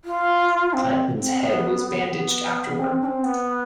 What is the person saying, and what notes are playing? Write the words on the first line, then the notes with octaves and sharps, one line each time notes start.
Clanton's head was bandaged afterward.
F4
C4
C4
B3
C4
B3
C4
D4
C4
B3